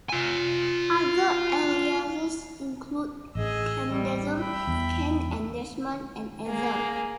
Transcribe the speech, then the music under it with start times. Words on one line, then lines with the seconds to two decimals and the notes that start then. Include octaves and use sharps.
Other aliases include Kendesm, Ken and Desmond, and Ether.
0.09 F4 G#5
3.35 A1 G#4 D#5 E6
3.91 G3
4.37 E5 G5 B5
4.67 E2
6.48 A#3 G#4